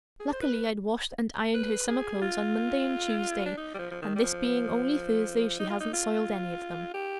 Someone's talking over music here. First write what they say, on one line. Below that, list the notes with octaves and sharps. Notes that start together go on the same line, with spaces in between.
"Luckily I'd washed and ironed her summer clothes on Monday and Tuesday, and this being only Thursday, she hadn't soiled any of them."
G#4
C5
B4
B4
G#4
F4
D4
D#4
G3
F3
F3
D#3
G3
F3
D#4
F4
D#4
F4
G4